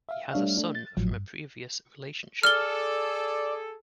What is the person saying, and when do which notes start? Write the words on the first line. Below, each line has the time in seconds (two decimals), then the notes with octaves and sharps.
He has a son from a previous relationship.
0.09 E5 F5
0.32 G3 A3 D4 C#5 E5 F5
0.57 A3 D4
0.75 A6
0.97 G#1 A2 F3 F#3
1.11 G2
2.43 G#4 A4 D5 F6 G7